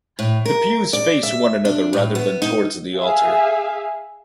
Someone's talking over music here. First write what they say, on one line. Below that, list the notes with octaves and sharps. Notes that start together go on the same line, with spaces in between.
The pews face one another rather than towards the altar.
A2
A#4
D5
E5
D4
A2
B3
D#4
G#4 E5 F5